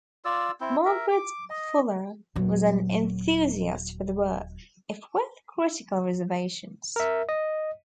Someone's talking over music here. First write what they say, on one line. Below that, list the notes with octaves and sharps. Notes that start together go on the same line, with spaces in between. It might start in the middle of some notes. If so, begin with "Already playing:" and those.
Margaret Fuller was an enthusiast for the work, if with critical reservations.
F4 D5 E6
C4 E4
A#4 E5
D6
D#5
D#1 F#3
A#4 E5
D#5